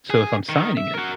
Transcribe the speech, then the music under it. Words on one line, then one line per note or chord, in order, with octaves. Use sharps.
So, if I'm signing it,
G#4
D#3
E5
F#4 A#4